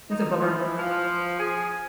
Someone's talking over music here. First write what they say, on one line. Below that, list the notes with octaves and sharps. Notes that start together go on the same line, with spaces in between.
it's a bummer.
D#4
E3
F3
G#4